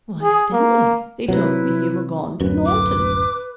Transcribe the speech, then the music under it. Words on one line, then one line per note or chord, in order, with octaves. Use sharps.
'Why, Stanley, they told me you were gone to Naunton.'
G#4
A#3
C3 F#3 E4 B4
D1 F#2 B4
D6